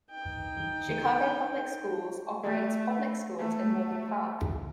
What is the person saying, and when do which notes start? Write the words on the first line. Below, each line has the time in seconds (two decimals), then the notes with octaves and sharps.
Chicago Public Schools operates public schools in Morgan Park.
0.10 D#4 G5
2.43 A3
3.38 A3